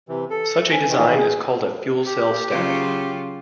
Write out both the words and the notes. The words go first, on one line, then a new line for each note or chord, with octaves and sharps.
Such a design is called a "fuel cell stack".
C3 E3
A4
G#5
D#3 E3
G#4
G4
C#3 F#3 F4